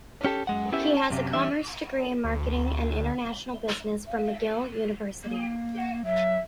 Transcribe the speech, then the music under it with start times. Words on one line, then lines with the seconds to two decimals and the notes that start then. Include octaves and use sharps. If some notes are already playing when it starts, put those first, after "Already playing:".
He has a commerce degree in marketing and international business from McGill University.
0.25 C#4 G4 A4
0.47 F#2 G#3 F#5
0.72 B3 C#4 E4 G4 E5
0.97 A5
1.10 F#2 C3
1.33 E3 G3 D4 E5
2.25 D2
5.23 A#3
6.05 F#3 E5